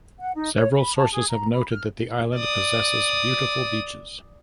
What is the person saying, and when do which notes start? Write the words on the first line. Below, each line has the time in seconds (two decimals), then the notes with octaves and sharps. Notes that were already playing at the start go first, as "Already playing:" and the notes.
Several sources have noted that the island possesses beautiful beaches.
0.19 F#5
0.35 D#4
0.57 C#5
0.74 B5
0.96 A5
1.12 G#4
1.29 A#5
1.53 B5
1.70 F6
2.37 D5 D#6